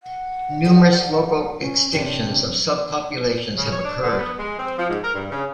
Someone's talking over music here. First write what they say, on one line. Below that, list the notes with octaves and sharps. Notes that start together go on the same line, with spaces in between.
Numerous local extinctions of subpopulations have occurred.
F#5
F#3 G3 A4
C#4
C3 C#4 D4 G4
C#3
C#5
D4
D3
B3
G#3
C4
F3
G#2
A#4
G2
C#3